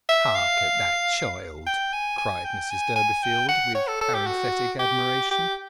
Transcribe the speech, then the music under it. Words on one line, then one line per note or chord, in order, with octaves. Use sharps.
"Hark at that child!" cried Mrs Durbeyfield, with parenthetic admiration.
E5
F5
G5
G#5
G#5
G5
G#5
G#5
G5
F#5
C#5
A4
A4
G4
F#4
G4
G4